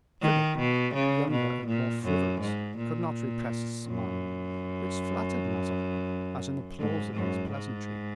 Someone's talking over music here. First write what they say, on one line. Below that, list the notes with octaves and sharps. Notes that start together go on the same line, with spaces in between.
Philip, younger and more frivolous, could not repress a smile, which flattered Mazarin as an applause of his pleasantry.
D#3
B2
C#3
B2
A#2
F#2
G#2
A#2
F#2
G#2
F#2
G#2